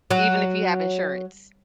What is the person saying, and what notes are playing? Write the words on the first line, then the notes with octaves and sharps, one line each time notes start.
Even if you have insurance?
F#3